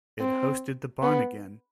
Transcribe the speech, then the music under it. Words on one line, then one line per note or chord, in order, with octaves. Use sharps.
It hosted the Barn Again!
C4
B3